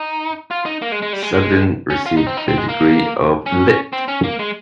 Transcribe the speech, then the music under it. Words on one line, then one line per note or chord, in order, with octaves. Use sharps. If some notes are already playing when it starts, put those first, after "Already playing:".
Sugden received the degree of Litt.
Already playing: D#4
F4
D#4
A#3
G#3
G#3
G3
G#3
G#3
C#4
F4
D#4
C4
D#4
C4
G#3
A#3
C#4
C4
C#4
A#3
G#3